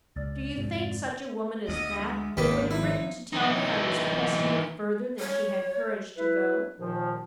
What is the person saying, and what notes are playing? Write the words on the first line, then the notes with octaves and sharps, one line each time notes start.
Do you think such a woman as that would have written to tell me I was pressing her further than she had courage to go?
C#2 D5
F2 G#2 C3
D2 D#5
G#3
G#1 D#2 C3 D#3 G4 B4
F3 D#4 E4
E3 D#4
C#5
E4 B4
D#2 A#2 D#3 F3